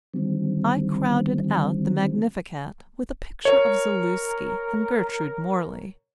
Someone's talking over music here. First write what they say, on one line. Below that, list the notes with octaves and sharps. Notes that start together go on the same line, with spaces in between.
I crowded out the Magnificat with a picture of Zaluski and Gertrude Morley.
D3 D#3 F#3 G3 C4
A#4 C#5